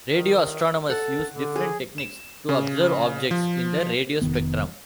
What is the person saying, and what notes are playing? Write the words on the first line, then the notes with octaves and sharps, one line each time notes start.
Radio astronomers use different techniques to observe objects in the radio spectrum.
D#3
A4 F#5
D3
G#4
E7
C#3
F3
F1 D#3 B3